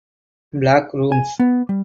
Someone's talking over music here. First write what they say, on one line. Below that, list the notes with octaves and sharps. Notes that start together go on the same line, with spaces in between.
Black Rooms!
G#5
B3
G3